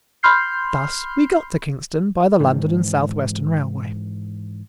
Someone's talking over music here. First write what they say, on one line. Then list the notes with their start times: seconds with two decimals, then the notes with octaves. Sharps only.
Thus we got to Kingston by the London and South-Western Railway.
0.23 B5 C6 F6 G6 C7
2.40 G#2 D#3 E3